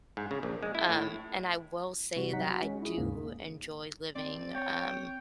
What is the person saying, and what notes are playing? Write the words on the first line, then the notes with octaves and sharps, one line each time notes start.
um, and I will say that I do enjoy living, um,
G#2
C#3
A#1
G#3
E4
A2
C3 G3 F#4
F#3 D#4 F#5 B6
F#4
G#3 C#4
E4 G#4
D#2 G#2 C#3 A#3
C4 D5
C#5 G5